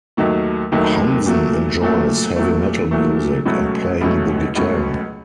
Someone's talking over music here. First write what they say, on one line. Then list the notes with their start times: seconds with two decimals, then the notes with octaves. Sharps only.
Hansen enjoys heavy metal music and playing the guitar.
0.17 D#2 D#3 F#3 A3
0.72 D#2 D#3 F#3 A3
1.26 A#2 F#3 A3
1.82 A#2 F#3 A3
2.36 A#2 F#3 A3
2.91 A#2 F#3 A3
3.45 C#2 B2 F#3 A3 C#4
4.01 C#2 B2 F#3 A3 C#4
4.55 C#2 B2 F#3 A3 C#4